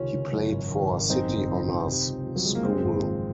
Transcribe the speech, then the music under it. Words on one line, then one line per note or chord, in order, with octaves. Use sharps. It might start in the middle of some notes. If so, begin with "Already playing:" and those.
He played for City Honors School.
Already playing: C#2 C3 D#3 C#4 F4
C#2
F#2
G#1
D#3
G#1
F#2 C4 D#4
F#1
F3
F#1
C3
C#2
F3
F#3
C#2 G#3
A#3
F#2 G#3 C4
G#1
F3